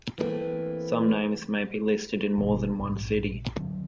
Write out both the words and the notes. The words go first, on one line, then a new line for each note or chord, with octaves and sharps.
Some names may be listed in more than one city.
E3 A3 A#3 C4
G#1 B2 E3 G#3
A#1 G#2 C3
D3 F#3 B3 C4